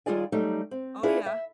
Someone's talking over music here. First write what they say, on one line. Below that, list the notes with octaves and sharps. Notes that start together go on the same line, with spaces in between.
Oh, yeah.
D#2 G3 F4 G#4 D5 G#5
F#3 G3 A3 D#4
C4
D4 E4 F4 G#4
E5